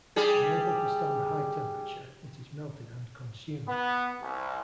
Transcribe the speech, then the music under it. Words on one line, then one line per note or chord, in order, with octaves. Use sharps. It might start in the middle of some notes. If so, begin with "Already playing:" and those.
Unable to stand the high temperature it is melted and consumed.
G3 G#4
B3
C2